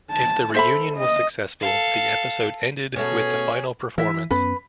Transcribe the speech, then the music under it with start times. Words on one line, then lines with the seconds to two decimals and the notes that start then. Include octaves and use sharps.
If the reunion was successful, the episode ended with the final performance.
0.12 A5
0.54 A4 C5 E5 B5
0.98 D#5
1.60 A4 F5
2.96 B2 A3 C#4 G#4
3.98 E3 E4 E5
4.31 F#2 B3 C#4 B4